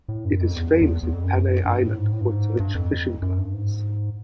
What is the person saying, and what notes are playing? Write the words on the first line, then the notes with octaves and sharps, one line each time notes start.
It is famous in Panay island for its rich fishing grounds.
A2
F#2
F2
E2
F2
E2
E2
F2
F#2
G2
A2
G#2
A2
G2
G#2
G2
F2
F#2
G2
G#2